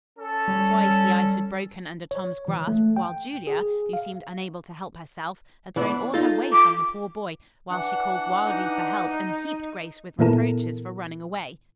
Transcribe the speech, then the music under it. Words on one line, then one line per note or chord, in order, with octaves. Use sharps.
Twice the ice had broken under Tom's grasp, while Julia, who seemed unable to help herself, had thrown all her weight on the poor boy, while she called wildly for help and heaped Grace with reproaches for running away.
C#4 A4
G3
C#5
E3
A3
G5
G#4
F5
E3 B3 D4
D#4 F4 A4
D6
E3 D4 F#5
D#4
A#2 E3 B3 E4 A4 A#4